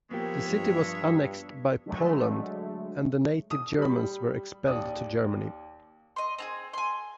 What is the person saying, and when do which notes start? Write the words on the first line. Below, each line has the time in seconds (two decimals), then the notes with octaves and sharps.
The city was annexed by Poland, and the native Germans were expelled to Germany.
0.11 F3 G#3 A#3 B3 G4 C#5 E5
0.48 G2
1.86 D3 F#3 G#3 A3
3.51 D#6
3.78 G3 B5
4.66 D#2 D5 D#6 D#7
6.16 D#5 C6
6.38 C4 F4 G#4
6.73 G#5 C6